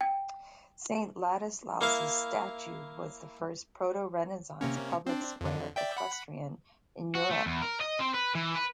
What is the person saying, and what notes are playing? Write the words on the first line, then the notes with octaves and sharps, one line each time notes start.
Saint Ladislaus' statue was the first proto-renaissance public square equestrian in Europe.
G5
A#3 E4 F5
C3 A#3 C#4
C4 D4
F2 D3
D5 E5 G5
F#5 B5
F#4
A3
E2
A#4
D#5
C4
B4
E3
B4